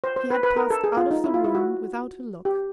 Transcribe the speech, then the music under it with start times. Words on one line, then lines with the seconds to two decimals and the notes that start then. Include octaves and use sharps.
He had passed out of the room without a look!
0.04 C5
0.16 C5
0.31 B4
0.43 B4
0.56 A#4
0.70 A4
0.84 G#4
0.97 F4
1.11 D#4
1.24 E4
1.34 F4
1.44 E4
1.55 F#4
2.45 G4